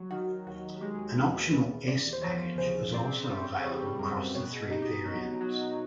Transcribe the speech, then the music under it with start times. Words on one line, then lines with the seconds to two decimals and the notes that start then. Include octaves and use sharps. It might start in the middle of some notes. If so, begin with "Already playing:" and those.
An optional S Package is also available across the three variants.
Already playing: F#3
0.11 D#3 F#4
0.46 D#2 F#4
0.81 G#3 G4
0.99 G#4
1.17 D#2 A#4
1.35 B4
1.52 E2 B4
1.88 E2 D5
2.13 C5
2.22 F3 C#5
2.58 C#3 C5
2.93 C4 D5
3.29 G3
3.64 G3 C#5
3.82 B4
3.99 F#2 A#4
4.18 B4
4.35 B2 C#5
4.53 G#4
4.70 D#4 G4
4.82 G4
4.88 F#4
5.05 F#3
5.41 F#3